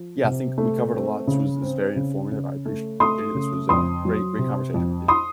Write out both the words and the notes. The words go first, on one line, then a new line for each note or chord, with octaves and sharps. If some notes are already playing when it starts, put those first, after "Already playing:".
yeah, I think we covered a lot, this was this was very informative, I appreciate it. This was a great great conversation with you.
Already playing: F3
C3
A3
C4
C#3
C4
C#3
C#3
A3
A3 C6 D#6
C#3
F2 C6 D#6
F#3
C3
F2
C6 D#6